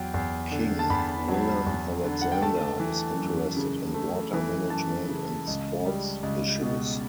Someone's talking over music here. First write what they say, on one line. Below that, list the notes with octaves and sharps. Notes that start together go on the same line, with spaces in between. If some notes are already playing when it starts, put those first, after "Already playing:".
King Willem-Alexander is interested in water management and sports issues.
Already playing: E2 F#3 G5
E2
D3
A5
E2 B5
F#3
E2
D3
F#5
G5
A3 A5
E3
F#2
C#3
A3
E3
F#2 A5
C#3
C#2
G3
C#2
B2